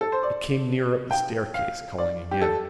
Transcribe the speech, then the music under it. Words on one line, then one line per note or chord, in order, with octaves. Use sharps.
It came nearer up the staircase, calling again.
A4
C5
D5
G5
F5
D5
G4
A4